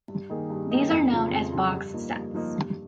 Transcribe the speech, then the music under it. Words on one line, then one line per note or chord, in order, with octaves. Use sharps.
These are known as box sets.
G2
D#3 A#3 D#4 G#4
G2
D#3 A#3 D#4 G#4
F2
C#3 F3 C4 F4
F2
C#3 F3 C4 F4
G2
F3 A#3 D#4
G2
F3 A#3 D#4
G2